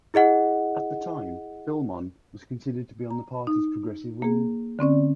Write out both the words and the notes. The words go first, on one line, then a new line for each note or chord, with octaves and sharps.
At the time, Filmon was considered to be on the party's progressive wing.
E4 G#4 D#5 F#5
A#5
D#4
A#3 G#4
D3 C4 C#4 D5